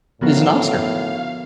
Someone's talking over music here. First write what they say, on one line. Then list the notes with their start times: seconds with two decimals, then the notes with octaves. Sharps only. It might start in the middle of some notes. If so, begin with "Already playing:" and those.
He's an oscar.
0.21 A2 D3 F3 B3 D#4 F#4 A#4 F5